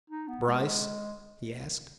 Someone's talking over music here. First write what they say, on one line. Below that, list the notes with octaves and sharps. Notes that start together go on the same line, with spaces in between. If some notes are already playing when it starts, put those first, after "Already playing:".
"Bryce?" he asked.
D#4
B3
G#3